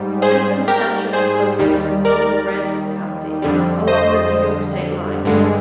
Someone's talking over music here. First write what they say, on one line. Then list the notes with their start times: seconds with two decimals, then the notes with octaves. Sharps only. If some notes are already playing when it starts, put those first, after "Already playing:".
Athens Township is located in northern Bradford County, along the New York state line.
Already playing: G#2 G3
0.22 G#4 C5
0.68 G4 A#4
1.13 G#4 C5
1.59 D#2 D#3 G3
2.05 A#4 D5
3.42 F2 D3 G3
3.87 C5 D#5
5.25 G2 D3 G#3